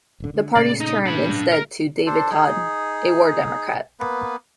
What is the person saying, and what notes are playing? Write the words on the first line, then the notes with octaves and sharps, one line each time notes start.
The parties turned instead to David Tod, a War Democrat.
D#1 D3
D3
A#2 C#3 A3 D5
D#4
D4 B5
A#4
D4 A4 C5
D#4 G#4
A#3 B3 B4